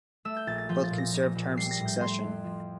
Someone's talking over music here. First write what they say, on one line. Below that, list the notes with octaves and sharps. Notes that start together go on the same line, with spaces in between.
Both can serve terms in succession.
A3 E6
G6
A#1 A6
A6
F3 G6
A6
A#2
A#6
A#1
A#1
G3 C7
A#6
A2
G6
A3 C6
F2
F3